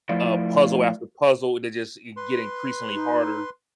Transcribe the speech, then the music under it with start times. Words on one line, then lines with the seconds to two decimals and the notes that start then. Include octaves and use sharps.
a puzzle after puzzle, they just i get increasingly harder-
0.09 F3 A3 E4 F4 A#4 D5
2.17 B4 C6
2.93 D#4